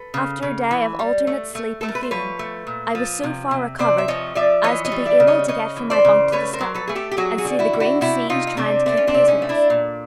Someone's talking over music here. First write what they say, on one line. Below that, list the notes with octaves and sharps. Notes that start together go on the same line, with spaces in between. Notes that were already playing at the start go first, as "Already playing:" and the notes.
After a day of alternate sleep and feeding I was so far recovered as to be able to get from my bunk to the scuttle, and see the green seas trying to keep pace with us.
Already playing: A4 B4
C#3
C#3
E3
G3
A3
A3
A3 A4
A#4
B4
C5
F3 B4 C#5
A3
A#2
F3
C3
C3
C3 C5 D5
E5
F3 C#5 D#5
F3 D5 E5
E3 C#5 D#5
C#5 D#5
G3
D5 E5
C#3
C#5 D#5
C#3 C#5 D#5
E3
C5 D5
C#3
A3 B4 C#5
A#4 C5
F#3
A4 B4
A3 G#4
G4 A4
G4
F#3 F#4 G#4
F#4 G#4
D3
E4 F#4
D3
E4 F#4
C3 E4 F#4
C3 D#4 F4
D#4
C3 C4 D4
A3 C4 D4
C#4
C4 D4
C3
C#4 D#4
A3
D4 E4
A#2